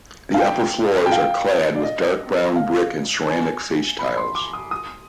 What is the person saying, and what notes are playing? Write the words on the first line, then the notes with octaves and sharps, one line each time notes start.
The upper floors are clad with dark brown brick and ceramic face tiles.
F5
G5
G5
F5
D5
D#5
F5
G#5
B5
C6
D6
D#6
D#6